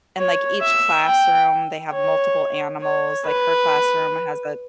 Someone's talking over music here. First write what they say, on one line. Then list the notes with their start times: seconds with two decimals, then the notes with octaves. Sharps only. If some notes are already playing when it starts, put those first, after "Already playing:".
and like each classroom, they have multiple animals, like her classroom has a
0.17 C#5
0.61 E5
1.05 G5
1.93 C#5
2.82 C#5
3.26 B4